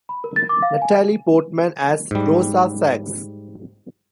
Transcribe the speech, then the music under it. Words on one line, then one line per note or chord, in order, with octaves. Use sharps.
Natalie Portman as Rosa Saks.
B5
A#4
A6
D6
F5
G#5
G#2 G3